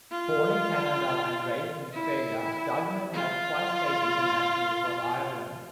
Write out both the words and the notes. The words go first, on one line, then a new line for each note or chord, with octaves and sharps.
Born in Canada and raised in Australia, Duignan has twice played internationally for Ireland.
F4
E4
F4